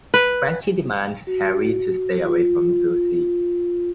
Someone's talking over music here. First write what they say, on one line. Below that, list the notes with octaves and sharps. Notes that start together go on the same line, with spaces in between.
Frankie demands Harry to stay away from Suzy.
B4
F#4
F4